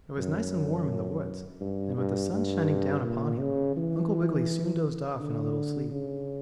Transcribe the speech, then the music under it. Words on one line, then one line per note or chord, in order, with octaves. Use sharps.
It was nice and warm in the woods, and, with the sun shining down upon him, Uncle Wiggily soon dozed off in a little sleep.
F#2
G2
G2
G2
A#2
C#3
E3
D3
C#3